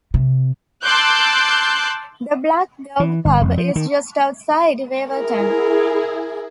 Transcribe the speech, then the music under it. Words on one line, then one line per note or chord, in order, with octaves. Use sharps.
The Black Dog pub is just outside Waverton.
C3
A5 C6 D6 E6 F#6 G6
E3
G1
F1
F3
D#3
E4 G#4 A#4